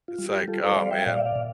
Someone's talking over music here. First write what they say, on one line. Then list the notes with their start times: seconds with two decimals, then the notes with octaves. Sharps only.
It's, like, oh, man,
0.08 F4
0.18 G3
0.28 G4
0.47 G3 F4 A4
0.62 A4 C5
0.76 G3 D5 F5
0.91 E5 G5
1.06 A#2 D5 F5
1.20 E5
1.25 D5 F5
1.36 A#2